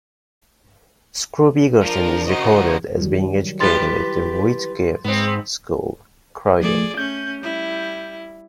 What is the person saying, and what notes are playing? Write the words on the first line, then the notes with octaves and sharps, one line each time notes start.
Scroop Egerton is recorded as being educated at the Whitgift School, Croydon.
F3 D4 A#4
C#3 F#4 A#4 C5 D#5
D#3 F#3 G3
E3 G4 B4 C6 A6
G#2 B3 C4
F3 A3 G#4 D5
A3 C#4 G6
G3 E4